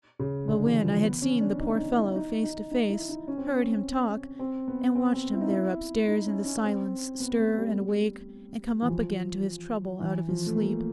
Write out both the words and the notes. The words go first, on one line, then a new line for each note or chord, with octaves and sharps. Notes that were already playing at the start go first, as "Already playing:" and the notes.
But when I had seen the poor fellow face to face, heard him talk, and watched him there upstairs in the silence stir and awake and come up again to his trouble out of his sleep.
C#3
D3
E3
F3
B3
C#4
D4
D#4
D#4
E4
D#4
D#4
D#4
E4
D#4
C#4
C4
C#4
C4
B3
C4
C4
E4
D#4
E4
D#4
C#4
C#4
C4
B3
A3
G3
E3
F3
E3
F3
A3
A#3